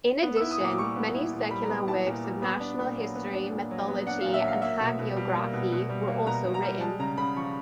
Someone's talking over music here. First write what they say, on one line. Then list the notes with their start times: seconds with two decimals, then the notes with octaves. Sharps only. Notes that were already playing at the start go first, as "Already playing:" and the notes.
In addition, many secular works of national history, mythology, and hagiography were also written.
0.23 B3
0.36 E6
0.41 E4
0.51 D#6
0.60 A#2 D6
0.71 D6
0.78 G3 C#6
0.96 B3
1.14 E4
1.33 A#2
1.51 G3 B5
1.63 A#5
1.69 B3 B5
1.87 E4 A5
2.06 A#2
2.24 G3
2.42 B3 B5
2.60 D4
2.78 A#2
2.98 F#3
3.15 B3
3.33 D4
3.52 A#2
3.71 F#3
3.88 B3
4.06 D4 F#5
4.20 F5
4.26 A#2
4.34 E5
4.43 F#3 F5
4.62 A#3 E5
4.80 B2
4.99 B2
5.16 G3
5.34 A#3
5.53 B2
5.72 B2
5.89 G3
6.08 A#3
6.27 B2 A#5
6.45 B2
6.54 A#5
6.62 G3
6.81 G#3 A5
6.99 C#3 A#5
7.18 C#3 B5
7.36 F3 C#6